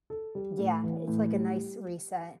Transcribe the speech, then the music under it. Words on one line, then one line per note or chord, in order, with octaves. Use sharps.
Yeah, it's, like, a nice reset
A4
G3
A2
E3
A2
G3